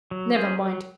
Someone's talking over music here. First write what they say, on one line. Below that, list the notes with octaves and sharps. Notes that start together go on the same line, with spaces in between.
Never mind.
F#3
C#4 G#4 C5
F#3